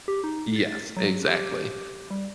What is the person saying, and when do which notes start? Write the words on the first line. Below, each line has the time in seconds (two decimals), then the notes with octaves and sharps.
Yes, exactly,
0.08 G4
0.24 D#4
0.56 A6
0.97 F#3
1.25 G4
2.11 G3